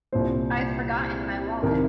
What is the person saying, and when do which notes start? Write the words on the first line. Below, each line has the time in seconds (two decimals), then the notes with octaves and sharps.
I’ve forgotten my wallet.
0.12 C2 A#2 C5
1.63 C2 C3 D#3 A#4